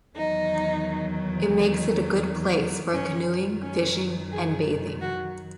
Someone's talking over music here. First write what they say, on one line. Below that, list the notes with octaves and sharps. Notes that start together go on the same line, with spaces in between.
It makes it a good place for canoeing, fishing and bathing.
E2 D#3 F#3 D#4
F#2 D#3 F#3 C#4
C#4
G#4
F#4